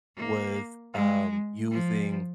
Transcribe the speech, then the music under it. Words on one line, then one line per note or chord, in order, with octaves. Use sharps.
was, um, using
A#3
G#3
F3